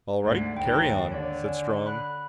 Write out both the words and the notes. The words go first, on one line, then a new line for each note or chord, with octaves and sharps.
"All right, carry on," said Strong.
D2 G#2
D#2 G5
D3 C#5 D5
G#5
B5 F#6